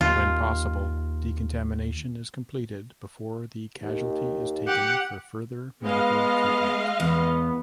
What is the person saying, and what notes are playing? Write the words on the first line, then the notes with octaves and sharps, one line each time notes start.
When possible, decontamination is completed before the casualty is taken for further medical treatment.
D#2 F4
D#2
G4 F#5
G#3 B3 D#5 F5
E2 B3